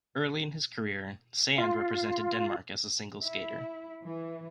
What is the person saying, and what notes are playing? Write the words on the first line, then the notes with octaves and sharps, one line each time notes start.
Early in his career, Sand represented Denmark as a single skater.
F4
E4
E3